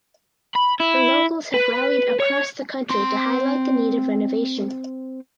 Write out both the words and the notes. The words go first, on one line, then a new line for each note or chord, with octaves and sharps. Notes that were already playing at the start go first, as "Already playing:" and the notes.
The locals have rallied across the country to highlight the need of renovation.
B5
E4
B4
C#5
C4 C6